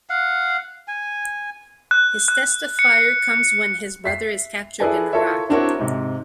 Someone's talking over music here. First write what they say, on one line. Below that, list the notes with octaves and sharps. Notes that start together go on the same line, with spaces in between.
His test of fire comes when his brother is captured in Iraq.
F5 F#5
G#5
F#6
F#6
C#7
E5 B6 C7
E4 G#4 A4 B4 D5 G#5
E4 F4 A4 A#4 C#5 E5
C4 D4 E4 F#4 A#4 C#5
G#2 C3